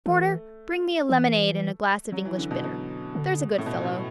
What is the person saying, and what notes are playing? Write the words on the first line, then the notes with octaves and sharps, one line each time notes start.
Porter, bring me a lemonade and a glass of English bitter, there's a good fellow.
E3 A3
E3
F#3
E3
D3
B2
B2
D3
A2
B2
B2